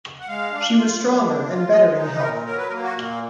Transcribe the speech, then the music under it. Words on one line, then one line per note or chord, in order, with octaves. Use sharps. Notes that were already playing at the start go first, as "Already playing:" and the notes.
She was stronger and better in health.
F#5
G#3 F5
D4
F4
F#3
D4
F4
G#3 D#5
D#4
B4
A#2 A#4
F#3 A#4
B4
A#4
A#3
F#4
A#2